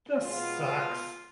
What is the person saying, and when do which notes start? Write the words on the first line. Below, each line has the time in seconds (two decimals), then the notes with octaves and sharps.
This sucks.
0.23 B2 G#3 B3 F4